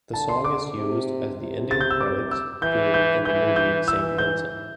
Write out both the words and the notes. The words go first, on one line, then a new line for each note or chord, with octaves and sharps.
The song is used as the ending credits theme in the movie "Saint Vincent".
D3 A5
C6
D6
C3
C3
A6
G6
E6
D6
E6
E3 G6
G6
E3 G6
G6
E3 E6
G6